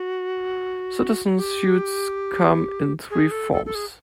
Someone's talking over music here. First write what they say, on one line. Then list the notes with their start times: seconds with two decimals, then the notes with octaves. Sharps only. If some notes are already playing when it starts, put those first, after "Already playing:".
Citizen suits come in three forms.
Already playing: F#4
1.38 G4
3.11 G#4
3.31 A4
3.52 A4
3.66 A4
3.75 G#4